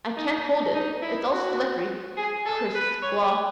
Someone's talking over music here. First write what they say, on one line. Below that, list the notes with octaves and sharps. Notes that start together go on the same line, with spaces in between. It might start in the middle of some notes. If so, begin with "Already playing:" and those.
I can't hold it; it's all slippery. Curse its claw!
D#4
D#4
E4
F#4
G#4
A4
B4
C#5